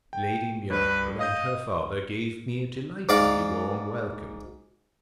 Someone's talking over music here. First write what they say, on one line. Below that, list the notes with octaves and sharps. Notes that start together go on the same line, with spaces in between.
Lady Muriel and her father gave me a delightfully warm welcome.
G5
G2 B4
D#5 F5 D#6 G6
G#2 D5 F5 A#5